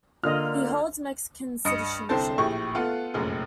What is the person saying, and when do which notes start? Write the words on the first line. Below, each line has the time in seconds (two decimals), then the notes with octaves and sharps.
He holds Mexican citizenship.
0.24 D3 A#3 F4 D#5 F6
1.65 G2 D#5 D#6 C#7
2.09 C2 D3 C4 C5 A5
2.38 A#1 A2 G4 G#4 C#6
2.75 A3 B3 F4 A4 F#5
3.14 F1 A#1 F#2 G#4